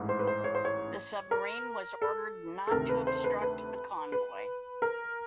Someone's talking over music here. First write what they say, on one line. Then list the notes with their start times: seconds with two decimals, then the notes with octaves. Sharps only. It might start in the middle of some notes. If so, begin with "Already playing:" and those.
The submarine was ordered not to obstruct the convoy.
Already playing: A1 G#2 E3
0.09 C5
0.19 B4
0.27 C5
0.44 C#5
0.55 C5
0.65 C#5
1.31 A#4
2.02 A4
2.67 A4
2.71 D2 C3 D#3 A#4
2.89 B4
3.07 C5
3.24 B4
3.42 B4
4.12 B4
4.82 A#4